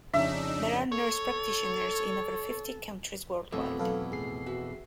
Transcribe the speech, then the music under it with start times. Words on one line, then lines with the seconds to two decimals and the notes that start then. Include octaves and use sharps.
There are nurse practitioners in over fifty countries worldwide.
0.13 F2 C#3 D4 D#4 C#5 E5
0.92 A4 C#5
3.53 F2 B2 E3 A3 F#4
3.79 F#3 A4 B4 F5
4.12 A2 G#4 C7
4.46 F#4 B4 E5